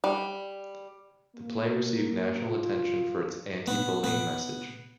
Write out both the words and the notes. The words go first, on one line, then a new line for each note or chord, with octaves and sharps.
The play received national attention for its anti-bullying message.
G3
A#3
F4
B3
B3